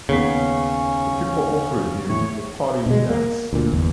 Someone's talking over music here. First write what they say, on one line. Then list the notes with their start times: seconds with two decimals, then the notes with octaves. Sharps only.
The people offered him a party dance.
0.09 D#2 C#3 B3 C#4 B6
2.09 A2 C#5
2.86 B2 G#3
3.10 A#3
3.53 D2 A#2
3.72 G1 E2